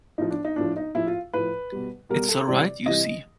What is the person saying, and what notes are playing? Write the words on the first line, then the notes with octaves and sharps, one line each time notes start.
It's all right, you see.
A2 F3 D#4
D4
D#4
A2 F3 D4
D#4
A2 F3 E4
F4
A2 F3 B4
B2 G3
B2 G3 A#4
A4
C3 E3 G3 D5
C3 E3 G3 D#5